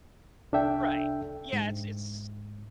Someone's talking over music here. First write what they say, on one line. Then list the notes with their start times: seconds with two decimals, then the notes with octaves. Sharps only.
Right. Yeah, it's it's
0.52 C2 D4 A4 E5 G5
1.53 G#2